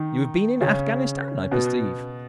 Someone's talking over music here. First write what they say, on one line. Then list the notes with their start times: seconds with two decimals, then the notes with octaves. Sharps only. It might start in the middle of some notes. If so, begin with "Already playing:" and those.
"You have been in Afghanistan, I perceive."
Already playing: D#3 D#4
0.61 C#3 C#4
1.51 B2 B3